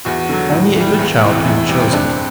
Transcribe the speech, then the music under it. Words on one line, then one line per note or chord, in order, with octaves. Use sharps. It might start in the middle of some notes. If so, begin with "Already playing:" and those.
Only a good child can be chosen.
E2 F#4
D3 F#3
A2
E3 G3
E2
C3 E3
E2 E4
C3 E3 G3
C4
G2 D4
C4